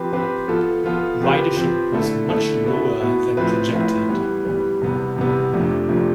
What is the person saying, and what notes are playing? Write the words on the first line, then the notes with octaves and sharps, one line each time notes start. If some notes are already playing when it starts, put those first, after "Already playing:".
Ridership was much lower than projected.
Already playing: F3 C4 G4 B4
F3 C4 G4 B4
F3 B3 F4 A4
F3 B3 F4 A4
F3 C4 G4 B4
F3 C4 G4 B4
D3 A3 E4 A4
D3 A3 E4 A4
B2 B3 E4
B2 B3 E4
A2 F3 C4 E4 B4
A2 F3 C4 E4 B4
E3 G3 B3
E3 G3 B3
E2 C3 G3 B3
E2 C3 G3 B3
F2 C3 F3 A3 D4
F2 C3 F3 A3 D4